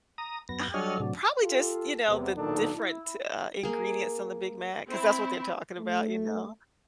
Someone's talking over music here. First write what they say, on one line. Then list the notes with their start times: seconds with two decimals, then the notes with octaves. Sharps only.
Um, probably just, you know, the different, uh, ingredients on the Big Mac, 'cause that's what they're talking about, you know?
0.18 A#5 D#6
0.49 F#2 B3 A#6
0.74 F#3 G3 D4 C#5 D#5 F6
1.00 A2 C3 F#3 D4
1.42 F4 G4 A4
2.07 E2 C3 B3
2.36 B1 A#2 D#3 D4 D#4 A4
2.76 E4
3.63 A#3 G#4
4.90 C4 E4
5.78 A3